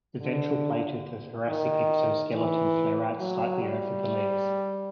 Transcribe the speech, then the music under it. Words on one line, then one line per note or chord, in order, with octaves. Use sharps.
The ventral plate of the thoracic exoskeleton flare out slightly over the legs.
D3
D#3
E3
F#3
G3